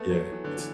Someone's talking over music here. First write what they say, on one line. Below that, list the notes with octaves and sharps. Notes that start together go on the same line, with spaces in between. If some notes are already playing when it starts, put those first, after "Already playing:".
yeah, it's
Already playing: A3 B3
F#3
E3
D3
E3